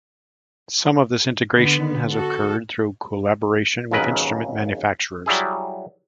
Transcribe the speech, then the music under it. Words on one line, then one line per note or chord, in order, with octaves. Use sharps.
Some of this integration has occurred through collaboration with instrument manufacturers.
D3 B3
F#4 A4
G#1 D#2 C#3 F#3 A#4 B4
F#3 G3 E4 G#4